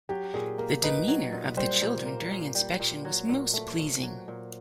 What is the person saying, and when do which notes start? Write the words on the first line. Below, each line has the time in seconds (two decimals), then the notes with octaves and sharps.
The demeanor of the children during inspection was most pleasing.
0.09 F#3 G4
0.34 A#2 G#4
0.58 A#3 A#4
0.83 D#4 B4
1.08 F#3
1.32 A#2
1.57 G3 C5
1.82 A#2
2.06 A#3
2.31 A#2
2.55 G3
2.80 A#2
3.05 F#3
3.29 A#2
3.53 A3
3.78 A#2
4.03 F#3
4.28 A#2